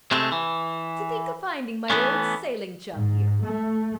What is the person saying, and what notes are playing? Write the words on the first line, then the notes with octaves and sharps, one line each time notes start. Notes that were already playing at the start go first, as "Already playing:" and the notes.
To think of finding my old sailing chum here!
C3 G#3 A3 C4
E3
E3 A3 B3 C#4
G#2
A3